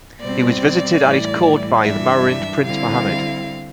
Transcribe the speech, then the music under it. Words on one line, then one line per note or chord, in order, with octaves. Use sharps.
He was visited at his court by the Marinid prince Mohammed.
B2 G3 C4 D5
A2 E3 G3
G2 E3 G3 D4 E5
D3 G3 C4 E4 F5